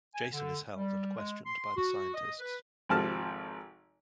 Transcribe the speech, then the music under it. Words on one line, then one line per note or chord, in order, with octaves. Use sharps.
Jason is held and questioned by the scientists.
G#5
D3
G3
G#3
C6
F#4
D#5
B4
G#1 C3 F3 A4 A5 F6